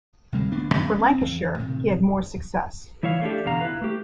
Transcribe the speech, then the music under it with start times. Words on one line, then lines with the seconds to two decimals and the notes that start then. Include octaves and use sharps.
For Lancashire he had more success.
0.32 D2 C3 G3 G#3
0.52 D1 A1 B3 D4
0.75 E2 G3 G#3 C#4
0.99 B3 C4
1.21 E2
1.59 A2 C3 D#3
3.03 E3 E4 C#5 F5
3.22 A3 D4 G4
3.45 E2 B2 D3 F5 A#5
3.61 E4 B4
3.82 A3 G4